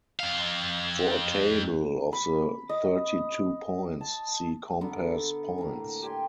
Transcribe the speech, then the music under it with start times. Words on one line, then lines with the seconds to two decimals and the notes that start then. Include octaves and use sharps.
For a table of the thirty-two points, see compass points.
0.20 F2 F5
2.13 B5
2.69 D#5
4.01 A5
4.81 D3 B3 A#4
5.58 A2 A#3
6.02 G4 G#5 C6